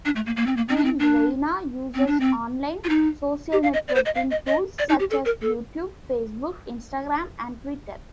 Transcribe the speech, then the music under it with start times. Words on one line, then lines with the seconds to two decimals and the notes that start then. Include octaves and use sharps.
Queen Rania uses online social-networking tools such as YouTube, Facebook, Instagram and Twitter.
0.05 D4
0.16 A3
0.26 A#3
0.37 A#3
0.46 C4
0.57 A#3
0.69 C4
0.76 D4
0.85 C4
0.99 D4
1.95 C4
2.07 D4
2.20 C4
2.84 F4
2.89 D#4
3.52 G4
3.63 F5
3.73 D#5
3.88 D5
3.95 C5
4.06 D#5
4.15 F5
4.31 D#5
4.47 D#5
4.79 D5
4.89 D#4
5.00 G4
5.10 A4
5.25 A#4
5.42 A4